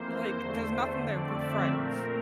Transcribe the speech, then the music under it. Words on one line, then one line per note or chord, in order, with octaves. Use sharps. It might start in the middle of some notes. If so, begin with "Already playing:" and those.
like, "There's nothing there, we're friends."
Already playing: F2 E3 A#3 C5
E2 D3 A3
F2 D3 A3 C4 D5
E5
A#2 A3 C4 A#4